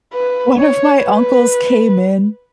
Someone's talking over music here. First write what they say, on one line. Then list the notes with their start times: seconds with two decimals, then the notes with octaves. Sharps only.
one of my uncles came in
0.13 B4
0.57 C#5
1.01 B4